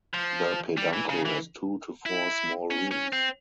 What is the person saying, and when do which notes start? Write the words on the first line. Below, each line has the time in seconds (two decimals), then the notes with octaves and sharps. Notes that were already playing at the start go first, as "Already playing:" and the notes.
The peduncle has two to four small leaves.
0.14 F3
0.77 G3
0.93 E3
1.10 C#3
1.26 E3
2.06 E4
2.71 C#4
2.91 C#4
3.13 C4